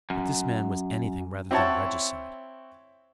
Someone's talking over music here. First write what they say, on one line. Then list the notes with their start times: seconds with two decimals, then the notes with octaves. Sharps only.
But this man was anything rather than a regicide.
0.10 F#2
1.51 C4 E4 C#5 F#5 A5